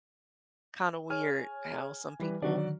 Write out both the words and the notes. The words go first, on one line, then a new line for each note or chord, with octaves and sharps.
kinda weird how some people
G#4 C#5 G#5 F6 D#7
E3 G3 B4
D3 D#3 F#3 F#4 D5